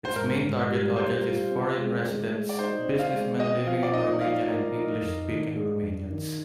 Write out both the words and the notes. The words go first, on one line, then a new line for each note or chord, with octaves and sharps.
Its main target audience is foreign residents, businessmen living in Romania and English-speaking Romanians.
C5
G#2 A#4
G#2
G3
G3 C5
F4
C4
G#3
G#3
G#3
D5
D#4 C5
C4
F5
G#3
C4 D#5
F3 F5
D5
D#4 D#5
F3 F5
A#4
D#4
F2
D#3
G#3
F2
D#3